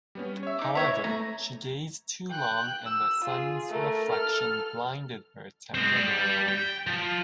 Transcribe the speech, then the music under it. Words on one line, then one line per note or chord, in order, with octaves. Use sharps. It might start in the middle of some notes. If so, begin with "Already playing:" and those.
However, she gazed too long and the sun's reflection blinded her temporarily.
G3 B3 C#4
C#5 E5
D#4 D6
B3 E4 C#5 E5
A3 A#5
G5 F#6
E6
F4 G#4
A3 A#4
A4 F6
G#3 C4
G3
G5
F3